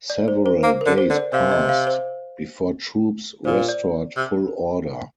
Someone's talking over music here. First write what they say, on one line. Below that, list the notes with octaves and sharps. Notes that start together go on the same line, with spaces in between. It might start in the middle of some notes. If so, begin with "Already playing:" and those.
Several days passed before troops restored full order.
D5
C5
C5
A#3 C5
D3 A#4
C5
D3
D5
C3 F5
D#5
F5
C5
A#2 C5
D5
C3